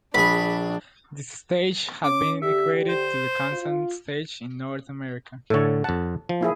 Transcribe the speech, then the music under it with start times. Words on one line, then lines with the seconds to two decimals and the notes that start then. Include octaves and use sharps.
This stage had been equated to the Kansan Stage in North America.
0.14 A#1 D4 G#4 B5
2.04 C#4 D6
2.42 D3 G4 E5
2.88 C5
3.52 F4
5.50 A2 D3 A4 C#5
5.84 F2 F#5 A5
6.29 F3
6.41 A#3 E4 G#4